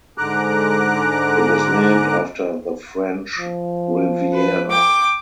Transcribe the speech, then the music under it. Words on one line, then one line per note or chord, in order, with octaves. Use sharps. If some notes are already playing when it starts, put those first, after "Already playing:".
It was named after the French Riviera.
G#2 D3 A#5 D6 F#6
F3
B4
G5 D6